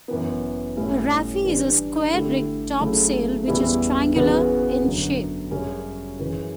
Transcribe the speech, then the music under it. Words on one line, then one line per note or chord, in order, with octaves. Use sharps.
A raffee is a square-rigged topsail which is triangular in shape.
F#2 E3 B3
A2 G3 C#4 E4
E3 G3 D4 G4
D3 A3 E4 G4
C#3 F#3 A3 E4
E2 C#3 G3 B3 E4
C#3 E3 B3 F#4
F#2 D3 F#3
F#2 C#3 G3 C#4
F#2 C#3 E3